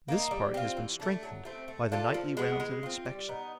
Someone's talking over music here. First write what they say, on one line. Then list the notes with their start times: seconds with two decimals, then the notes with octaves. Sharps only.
This part has been strengthened by the nightly rounds of inspection.
0.08 A#3 D#4
0.31 G3
0.54 C4 F4
0.77 E3
1.00 A3 D4
1.23 F#3
1.45 A3 C4
1.68 A3
1.92 D4 F4 A4
2.14 F3
2.37 G#3 B3
2.60 G#3
2.83 C4 F4
3.06 G3
3.28 B3 D#4